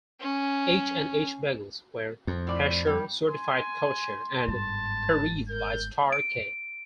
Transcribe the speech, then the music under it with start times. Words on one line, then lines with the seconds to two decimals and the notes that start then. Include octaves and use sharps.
H and H Bagels were Hechsher-certified Kosher and Pareve by Star-K.
0.21 C#4
2.27 F2
2.47 A2 D5
2.87 G3
3.27 G#5 C6
4.48 G1 G#2 A5
5.49 A#4 G6
6.13 D7